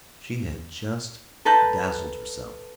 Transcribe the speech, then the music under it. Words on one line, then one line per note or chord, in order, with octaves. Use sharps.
She had just dazzled herself.
A4 B4 A5 A#5 F#6 G6